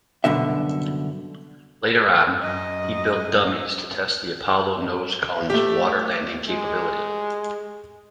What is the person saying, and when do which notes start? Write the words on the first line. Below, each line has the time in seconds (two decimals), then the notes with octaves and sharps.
Later on, he built dummies to test the Apollo nose cone's water landing capability.
0.24 C2 F#2 B2 D3 E5
2.43 F#2 D#5
5.50 A3 G4
6.48 G#3